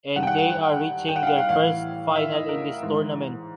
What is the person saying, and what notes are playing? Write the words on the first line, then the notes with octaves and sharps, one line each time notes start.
And they are reaching their first final in this tournament.
G2 D#3 F#5
G5
F#5
F#5
G5
G5
F#5
F5
F#5
F5
A2 E3 F5
E5
D#5
A#4
G#2 E3